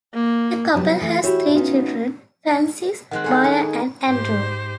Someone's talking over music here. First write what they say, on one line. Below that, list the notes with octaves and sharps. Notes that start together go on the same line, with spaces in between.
The couple has three children, Francis, Maya, and Andrew.
A#3
C3 F#3 G3 B3
E3 A3
E4 F#4 G4 C#5
B3 C#4 D#4 F4 F#4
D#3 G#3 C4 F#5 F#6
A4 C5 C#5 F5 G#5 A#5
D#4
G#2 G4 C5